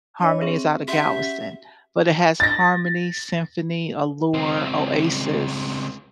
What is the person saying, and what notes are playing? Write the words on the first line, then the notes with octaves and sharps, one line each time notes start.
Harmony is out of Galveston, but it has Harmony, Symphony, Allure, Oasis
D4 C#5 D#5
C4 G#4 E5 C#6
C#4 F#4 G4 E5 F#5
A6 A#6
C#2 C4